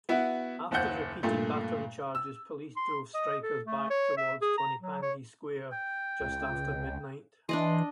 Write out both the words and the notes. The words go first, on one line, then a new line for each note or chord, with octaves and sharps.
After repeated baton charges, police drove strikers back towards Tonypandy Square, just after midnight.
B3 E4 F#4
F#1 D#2 C5 F#5 G6
G2 A#2 A3
E6
C6
D#5
A4
A3
C#5
E5
G#4
A#5
F#3
C#5
G5
C#2
E3 D4 D5 D#5 C6